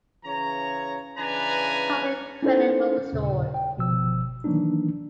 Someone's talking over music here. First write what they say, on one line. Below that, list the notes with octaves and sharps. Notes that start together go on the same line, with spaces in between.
Public credit was restored.
C#3 E3 C#5 A#5
C#3 E3 D4 B4 G#5 A#5
C#4 D#4 E4 A4 C5
D#2 A#2 C#3
G5
G1 B2 F3 E6
D#3 E3 F#3 A#3 D4 D#4